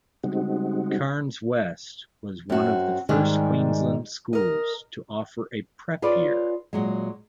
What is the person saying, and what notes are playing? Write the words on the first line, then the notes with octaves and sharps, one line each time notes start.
Cairns West was one of the first Queensland schools to offer a "Prep" year.
C#3 G3 G#3 C4 D#4 F#4
F#2 C4 F#4
G#2 D#3 G3 G#3
A#4 D#5
F4 G#4 B4 C#5 D5
A#2 F#3 G#3